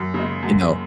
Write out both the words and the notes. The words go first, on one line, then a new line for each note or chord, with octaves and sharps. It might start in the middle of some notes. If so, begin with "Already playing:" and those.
you know,
Already playing: F#2
C#3
G#3
F#2